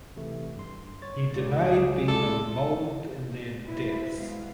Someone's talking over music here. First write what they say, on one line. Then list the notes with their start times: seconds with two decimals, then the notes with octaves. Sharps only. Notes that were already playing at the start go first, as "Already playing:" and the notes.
He denied being involved in their deaths.
0.16 C3 E3 A3
0.56 G2 C6
1.02 C#5 A6
1.36 C#2 C#3 F4 C#5 D5
1.66 D5 G#5 D#6
2.08 G#3 E4 F4 A4 D5
3.64 G2 E4 B4 C5
4.18 B2 E3 G#3 B3 E4 F5